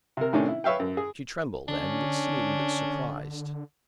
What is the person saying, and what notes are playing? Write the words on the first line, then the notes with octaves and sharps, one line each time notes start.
She trembled and seemed surprised.
C3 A#4
A2 C3 D#3 C#4 D4
E4
B4 C#5 E5 F5 G5
F#2
G#4
D3 C#4 D4